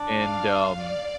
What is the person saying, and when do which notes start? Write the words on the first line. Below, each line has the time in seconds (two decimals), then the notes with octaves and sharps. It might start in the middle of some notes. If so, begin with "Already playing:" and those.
And, um,
Already playing: D4
0.19 F5
0.48 F5
0.77 D5